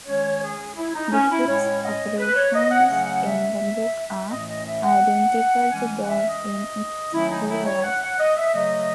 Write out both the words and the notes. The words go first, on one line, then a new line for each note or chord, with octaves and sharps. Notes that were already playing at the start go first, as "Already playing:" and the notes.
The ship's operations in the book are identical to those in its real life.
D#3 G#3 C#4 C#5
G#4
E4
D#4
C#4
E4
A2 G#3 C#4 C#5
D#5
B4
C#5
D#5
F#5
C#3 F#3 A3 C#4 F#5
E5
A2 E3 A3 C#4 D#5
D#5
E5
F#5
E3 G#3 C#4 G#5
F#5
E5
D#5
D#3 F#3 A3 C#4 E4
D#4
E4
C#5
F#5
F#5
D#5
E5
C#3 F#3 A3 D#5